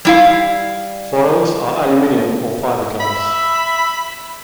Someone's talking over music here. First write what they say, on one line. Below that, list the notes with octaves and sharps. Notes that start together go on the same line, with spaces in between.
Foils are aluminium or fibreglass.
G3 E4 F5
E5 B5